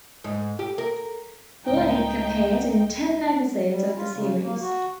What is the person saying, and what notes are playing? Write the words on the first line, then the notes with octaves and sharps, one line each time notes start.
Leick appeared in ten episodes of the series.
G#2
G4
A#4
C#2 A2 D#4 G5
G3
F4
C#3
A#3
F#4